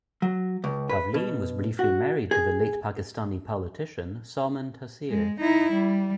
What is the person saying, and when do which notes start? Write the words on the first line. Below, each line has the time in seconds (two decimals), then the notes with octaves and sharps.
Tavleen was briefly married to the late Pakistani politician Salman Taseer.
0.22 F#3
0.64 C#2
0.89 B4
1.14 B2
1.79 F#4
2.31 G#4
5.10 G#3
5.41 D#4 E4
5.73 G3